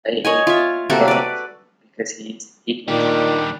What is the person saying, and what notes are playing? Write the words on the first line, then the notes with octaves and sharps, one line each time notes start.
I hate him with an H, because he is Hideous.
C#5 D#5 G#5
F4 E5
C3 A#3 F#4 A4
B4 D5
D#2 A#2 D#3 G3 D4